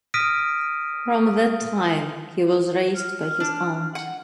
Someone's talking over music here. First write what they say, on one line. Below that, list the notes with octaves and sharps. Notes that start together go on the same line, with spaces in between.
From that time he was raised by his aunt.
D#6 F6 A#6 B6 D7 D#7
F6
D4
F#5